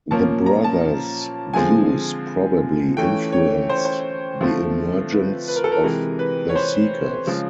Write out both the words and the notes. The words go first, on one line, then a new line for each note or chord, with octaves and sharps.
The brothers' views probably influenced the emergence of the Seekers.
A#2 F3 A#3 C#4 A5
A#5
A5
D3 F3 G#3 C4 G#5
E3 A3 C#4 G5
C#5
C5
C#5
C5
D3 F3 A3 C4
B4
B4
A#4
A4
A#4
C3 E3 G#3 A#4
B4
C#5
C5
C#3 F3 G#3